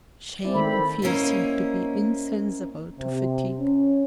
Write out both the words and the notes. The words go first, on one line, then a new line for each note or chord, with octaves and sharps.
Shame and fear seemed to be insensible to fatigue.
C4 E4 D5
D#3 A3 B5
A#3 C#4 E4 C5 D#5
C3
C#4